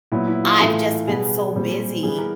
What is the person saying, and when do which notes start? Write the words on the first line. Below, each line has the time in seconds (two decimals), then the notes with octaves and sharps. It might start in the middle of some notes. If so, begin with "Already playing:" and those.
I've just been so busy,
0.12 A#2 F#3 B3 E4
0.28 E4
0.44 F4
0.59 A2 E3 A3 F4
1.08 B2 G3 B3 G#4
1.56 A#2 G3 C4
2.03 E3 G3 B3 G#4
2.18 A#4